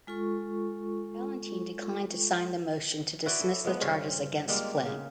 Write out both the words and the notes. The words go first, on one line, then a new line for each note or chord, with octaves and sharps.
Ballantine declined to sign the motion to dismiss the charges against Flynn.
G#3 F4 A4 C#6
E4 F#4 B4 D5
A4
F3 G#3 B3
G2 C#3 C#4 C5
G3 G#3 A#3 F4
C#3